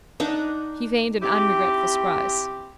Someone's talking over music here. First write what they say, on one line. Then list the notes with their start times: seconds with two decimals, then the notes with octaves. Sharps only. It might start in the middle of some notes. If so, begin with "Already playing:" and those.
He feigned an unregretful surprise.
0.20 D4 D#4 F#5
1.22 C4 E4 G4